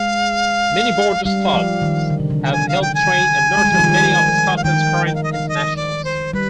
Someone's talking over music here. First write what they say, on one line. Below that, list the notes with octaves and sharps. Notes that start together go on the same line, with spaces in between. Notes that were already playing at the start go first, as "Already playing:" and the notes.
Many Borders clubs have helped train and nurture many of Scotland's current internationals.
Already playing: G#3 F5
G3 F5
F3
D#3
D3
C3
D3
G5
G#5
F5
G5
G#5
G#3
G3
F3
D#3
F5
D#3 G5
G5
F5
D#5
F5
D#5
D5
C5
G3 B4